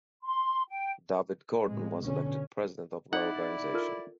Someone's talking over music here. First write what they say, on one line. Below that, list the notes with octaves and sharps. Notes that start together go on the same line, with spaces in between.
David Gordon was elected president of the organisation.
C6
G5
A2 C3 G#3
B2 D3 C#4
D#4 E4 D5 F#5
F4 A4 A#4